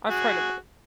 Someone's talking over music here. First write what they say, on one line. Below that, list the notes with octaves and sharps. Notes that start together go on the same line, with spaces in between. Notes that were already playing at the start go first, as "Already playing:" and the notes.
I've heard of it.
F#4 G#4